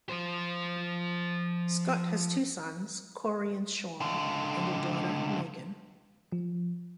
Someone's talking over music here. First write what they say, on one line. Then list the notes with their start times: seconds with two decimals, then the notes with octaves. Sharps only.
Scott has two sons, Corey and Shawn, and a daughter, Megan.
0.09 F3 C5
4.00 C#2 D3
6.32 F3